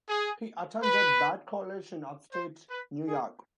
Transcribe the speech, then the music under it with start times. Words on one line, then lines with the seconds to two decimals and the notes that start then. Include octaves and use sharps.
He attended Bard College in upstate New York.
0.08 G#4
0.83 B4
2.33 C5
2.70 B4
3.08 G#4